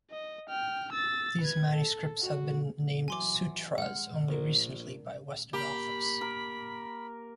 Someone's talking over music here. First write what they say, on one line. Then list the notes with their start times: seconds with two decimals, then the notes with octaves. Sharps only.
These manuscripts have been named Sutras only recently by western authors.
0.11 D#5
0.49 G5 F6
0.92 E6 A6
1.41 B4 G#6
1.71 A4
2.22 F#4
3.08 E3 F#3 G#5 C6 D6
3.78 G#3 F#5 F6
4.29 A#1 D4 A#4
5.53 A#3 G4 B5
6.21 A#4